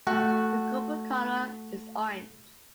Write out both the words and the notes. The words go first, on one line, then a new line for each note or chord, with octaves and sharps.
The corporate colour is orange.
A3 F#4